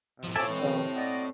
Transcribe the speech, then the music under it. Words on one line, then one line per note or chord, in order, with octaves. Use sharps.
um so,
A2 F3
F3 A4 C#5 E5 G#5 A5 D6 E6
A2 E3 G#3 C4
B2 D#3 F3
F#4 D5 D#5